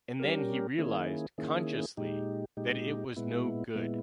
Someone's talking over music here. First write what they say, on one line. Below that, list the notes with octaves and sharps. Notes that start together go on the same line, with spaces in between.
And then he realised, consciously, that it was no good.
G3 C#4 G4 A#4
D#3 A#3 C#4 E4 G#4
D#3 A#3 C#4 E4 G#4
A#2 G#3 D#4 G4
A#2 G#3 D#4 G4
A#2 G#3 B3 E4
A#2 G#3 B3 E4